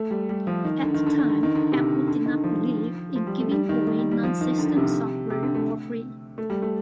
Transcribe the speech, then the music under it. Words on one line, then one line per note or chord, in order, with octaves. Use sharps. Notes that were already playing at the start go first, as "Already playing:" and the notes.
At the time Apple did not believe in giving away non-system software for free.
Already playing: A3
G3
G3
F3
D#3
D3
D#3
D3
D#3
D3
D#3
D3
C3
D3
D#3
F3
F3
G3
A3
G3
D#3
D#3
G3
G3
F3
D#3
D3
C3
C3
D3
A3
A3
G3
A3